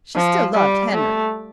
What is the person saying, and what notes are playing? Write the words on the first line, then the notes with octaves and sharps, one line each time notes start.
She still loved Henry.
F3
G3
A3